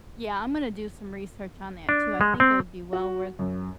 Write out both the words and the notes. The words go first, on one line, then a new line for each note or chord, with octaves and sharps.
Yeah, I'm gonna do some research on that too, I think it would be well worth
D4
G#3
C4
F#4
F#2